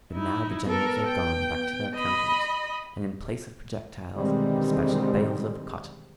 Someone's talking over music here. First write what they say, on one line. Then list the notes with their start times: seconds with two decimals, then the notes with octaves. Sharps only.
But now the generals are gone back to their counters; and in place of projectiles, they despatch bales of cotton.
0.12 D#4 E4
0.67 B3 A4 A#4
1.07 G5
1.95 D#5 B5
4.16 B2 D3 D#3 G3 G#3 C4